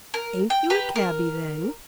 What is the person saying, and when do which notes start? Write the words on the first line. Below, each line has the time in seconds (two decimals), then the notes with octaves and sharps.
"Ain't you a cabby, then?"
0.14 A#4
0.50 G5
0.70 G4 B4 A#5
0.96 A#4